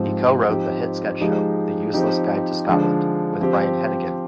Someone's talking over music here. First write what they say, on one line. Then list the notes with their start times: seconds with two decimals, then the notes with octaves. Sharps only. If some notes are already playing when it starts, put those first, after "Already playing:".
He co-wrote the hit sketch show 'The Useless Guide to Scotland' with Brian Hennigan.
Already playing: G#2 F3 C4 G4
0.47 F3 C4 D#4 G4
1.21 F3 G#3 D#4 G4
1.94 F3 C4 D#4 G4
2.67 D3 F3 G#3
3.40 F3 C4 G4